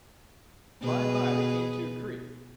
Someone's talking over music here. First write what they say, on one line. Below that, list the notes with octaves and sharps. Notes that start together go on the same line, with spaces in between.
By and by they came to a creek.
B2 G#4 B4